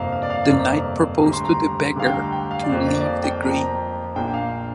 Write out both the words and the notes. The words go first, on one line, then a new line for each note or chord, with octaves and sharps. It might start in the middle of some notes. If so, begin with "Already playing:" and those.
The knight proposed to the beggar to leave the grain.
Already playing: G1 F2 C3 A#3 F5 A#5
F5
D5
F5
D5
G1 F2 C3 A#3 F5
D2 D3 G3 A#5
C6
A#5
D2 D3 G3 F5
G5
A#5
G5
F5
D5
F2 F3 A#3 F5
D5
D5
F5
G5
F2 F3 A#3 A#5
G5
A#5
A#1 A#2 A#3 D4 G5
G5
F5